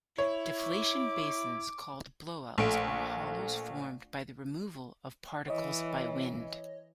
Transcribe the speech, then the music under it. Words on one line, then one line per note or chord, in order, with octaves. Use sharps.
Deflation basins, called blowouts, are hollows formed by the removal of particles by wind.
E4 C#5
D6
A#1 A3 D7
E3 C#5 D#5